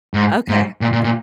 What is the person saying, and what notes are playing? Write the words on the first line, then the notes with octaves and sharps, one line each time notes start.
Okay, okay.
G#2
G#2
A#2
A#2
A#2